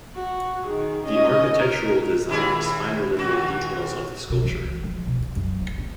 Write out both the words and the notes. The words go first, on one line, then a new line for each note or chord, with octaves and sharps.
The architectural design is finer than the details of the sculpture.
F#4
D#3 G#4
C#4 D#5
A#4
D#2 E4 G#4
D#2 F#4
B2
E3
C#2
F3
B2
D#3
F#2
E3
B3